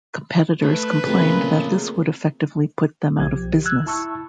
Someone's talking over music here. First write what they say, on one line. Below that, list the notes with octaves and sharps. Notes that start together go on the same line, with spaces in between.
Competitors complained that this would effectively put them out of business.
A3 B4
C#3 F3 A3 A#3 C4 A#4
B1 F3 G4 G#6
E6 F#6 G#6
E4 A5 C#6 E6